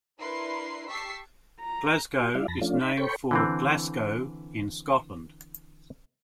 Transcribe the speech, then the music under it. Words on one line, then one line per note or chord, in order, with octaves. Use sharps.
Glasco is named for Glasgow, in Scotland.
D4 E4 A#4 B4 C6 C7
G4 A5 C#6 E6 B6 C7
A#5
F#4 G5
G3 E4 D5 E5 F5
F2 A5 B5 A#6
F3 A3 C#4 D4 F4
D#4 B5
A4 C5 C#5 G5 B5 C#6
D3 E3 C4